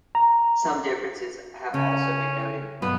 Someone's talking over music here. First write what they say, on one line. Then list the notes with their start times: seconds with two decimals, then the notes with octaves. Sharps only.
Some differences have also been noted.
0.15 A#5
1.74 C#3 C#4
2.82 B1 G2 B3 B4